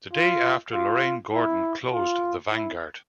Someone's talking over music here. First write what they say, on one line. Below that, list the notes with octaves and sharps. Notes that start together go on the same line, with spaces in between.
The day after, Lorraine Gordon closed the Vanguard.
F4
F4
E4
F4
E4